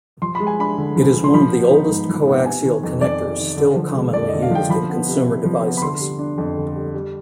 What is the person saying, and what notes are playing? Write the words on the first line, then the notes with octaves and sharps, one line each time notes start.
It is one of the oldest coaxial connectors still commonly used in consumer devices.
F3 C6
B5
G#3
G#5
D4 B5
D3
F3
G#3
C6
F3 B5
B3
D#4
G#2
F3
B3
C3 G#5
D#3
F2
F2 D5
C3
D#3
D3
F3
G#3
F2 D5
D#5
D3
F5
F3 G5
F3 B5
B3
C3
C3
F3
B3
B5
D3 C6
G3
D4
F2
D3
G3
G3